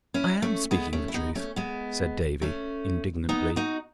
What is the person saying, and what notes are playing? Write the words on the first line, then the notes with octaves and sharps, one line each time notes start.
"I am speaking the truth," said Davy, indignantly.
C#4 E4
A3 C#4
G#3 B3
A3 C#4
E4
B3 D#4
A3 C#4
G#3 B3
A3 C#4
B3 D#4
D#4 F#4